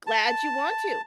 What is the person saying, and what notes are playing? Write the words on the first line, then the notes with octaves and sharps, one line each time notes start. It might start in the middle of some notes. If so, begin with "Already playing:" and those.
Glad you want to,
A5